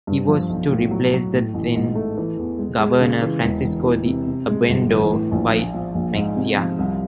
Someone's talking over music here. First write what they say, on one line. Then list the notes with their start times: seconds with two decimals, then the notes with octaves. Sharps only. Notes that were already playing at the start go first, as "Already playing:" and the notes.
He was to replace the then governor Francisco De Obando Y Mexia.
0.07 G2
0.29 F3
0.49 B1
0.71 A2
0.91 F#3
1.13 F#3
1.33 A2
1.54 A1
1.76 G#2
1.95 A3
2.17 E3
2.37 E2
2.59 G#3
2.81 G#3
3.00 C#3
3.21 E3
3.43 E1
3.64 E1
3.84 E3
4.06 C3
4.27 C3
4.48 G#3
4.69 G1
4.90 E3
5.10 A2
5.32 A#1
5.53 F3
5.74 F3
5.95 A#1
6.16 G#2
6.36 C3
6.58 F3
6.78 C2